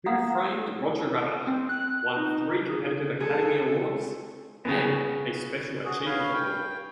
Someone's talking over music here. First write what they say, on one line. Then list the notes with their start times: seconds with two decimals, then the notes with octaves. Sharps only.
"Who Framed Roger Rabbit" won three competitive Academy Awards and a Special Achievement Award.
0.06 B4 F5 F#5 A#5 D#6
1.47 C4
1.69 F#6
2.16 D#4
2.70 G#4
3.20 G#4 A4
4.65 C#3 B3
5.85 F#4 G#4
6.06 B4 C#5 F5
6.34 G5